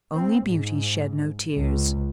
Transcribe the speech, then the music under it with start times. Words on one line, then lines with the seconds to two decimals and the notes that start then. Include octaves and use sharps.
Only Beauty shed no tears.
0.15 C4
0.49 G#2
1.55 C#2